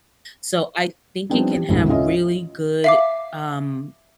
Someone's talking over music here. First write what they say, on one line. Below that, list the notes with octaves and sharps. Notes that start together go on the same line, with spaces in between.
so I think it can have really good, um,
F3 G3 B3 C4 D4 D#4
G4
G#1 D2 A2 C3 E3
C#4 F4 A4 D#5 E5
E5 F5 D6